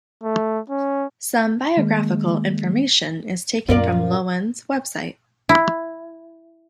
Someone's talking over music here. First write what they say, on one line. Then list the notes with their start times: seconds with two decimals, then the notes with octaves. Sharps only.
Some biographical information is taken from Loewen's website.
0.23 A3
0.70 C#4
1.77 D#3 G#3 A#3
3.68 F#2 A#2 F4 A#4 D5
5.49 E4